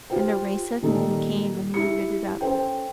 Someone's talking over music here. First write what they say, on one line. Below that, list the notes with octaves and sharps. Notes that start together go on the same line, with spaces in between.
And a race of men came and rooted it up.
F4 G4 C5 G5
A#2 D#3 G3 D#4 A4
E4 G4 C#7
C#4 A4 C5 G5